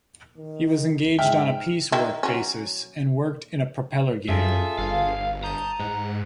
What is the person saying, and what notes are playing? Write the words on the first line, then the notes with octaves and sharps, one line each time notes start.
He was engaged on a piece work basis, and worked in a propeller gang.
D#3
G#2 E5 G5 F6
D#3 E4
F#3 C#4
F#2 F4 G#4 A4 E5
G1 F5
A5 A#5 D#6 G6
G#2 F#5